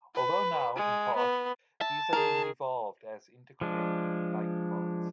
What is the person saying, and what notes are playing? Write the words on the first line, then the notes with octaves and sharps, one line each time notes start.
Although now, in part, these are being devolved as interconnecting bike paths.
B4
G#3
B3
E5 A5
D#3 G#4 A#4
F3 G#3 D4